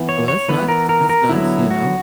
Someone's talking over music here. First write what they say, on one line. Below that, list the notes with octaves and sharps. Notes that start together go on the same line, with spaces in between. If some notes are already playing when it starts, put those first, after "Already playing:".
Well, that's nice that's nice, you know,
Already playing: E3 B3
C#5
C#5
E3 B3 B4
A#4
A#4
A#4
D3 F#3 B3 E4
F#4